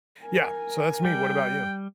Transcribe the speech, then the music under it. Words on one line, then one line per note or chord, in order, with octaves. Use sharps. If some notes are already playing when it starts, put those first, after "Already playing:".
yeah. So, that's me, what about you?
A#4 G#5
G3 G5